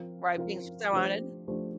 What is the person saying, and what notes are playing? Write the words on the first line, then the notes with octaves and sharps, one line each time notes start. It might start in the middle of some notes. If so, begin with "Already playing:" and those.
Right, being so on.
Already playing: F3 C4 F4 A#4 F5
F3 C4 F4 A#4 F5
F3 A3 D4 G4 C5
F3 A3 D4 G4 C5